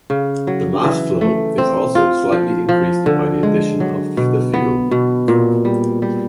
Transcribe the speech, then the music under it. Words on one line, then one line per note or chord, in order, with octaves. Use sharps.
The mass flow is also slightly increased by the addition of the fuel.
C#3
F#3
E3
A3
C4
F4
F3
F3
D3
G#3
F#3
B2
B3
B2
A#2
G3
G3